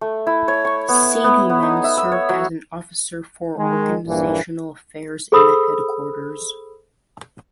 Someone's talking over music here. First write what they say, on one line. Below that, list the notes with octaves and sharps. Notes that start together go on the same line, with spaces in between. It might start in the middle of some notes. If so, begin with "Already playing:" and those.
Sayidiman served as an officer for organizational affairs in the headquarters.
A3
E4
C#5
C#6
B3
B3
B3
D#4
E5
E6
C#5
F#3
D#3 G#3
A#1 G2 E3 A#3
G#4 A4 C5 B5 D#6 E6